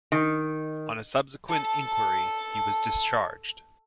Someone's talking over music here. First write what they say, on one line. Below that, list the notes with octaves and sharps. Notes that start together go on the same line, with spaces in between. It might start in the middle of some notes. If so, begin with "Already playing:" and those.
On a subsequent inquiry he was discharged.
D#3
A4 A5